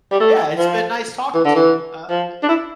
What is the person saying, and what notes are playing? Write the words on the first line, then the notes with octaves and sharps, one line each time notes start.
Yeah, it's been nice talking to you. Uh, eh
G3
A3
F3
E3
D3
E3
F3
D4
E4